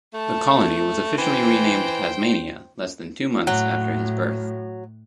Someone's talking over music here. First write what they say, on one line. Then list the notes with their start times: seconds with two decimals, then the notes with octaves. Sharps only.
The colony was officially renamed Tasmania less than two months after his birth.
0.14 A3 A5
1.18 E3 C5 G5
3.47 A2 F#3